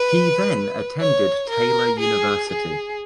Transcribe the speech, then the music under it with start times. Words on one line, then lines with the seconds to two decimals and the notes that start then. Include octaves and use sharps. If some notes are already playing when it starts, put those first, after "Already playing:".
He then attended Taylor University.
Already playing: B4
1.00 C#5
1.50 A#4
1.99 G#4
2.49 G#4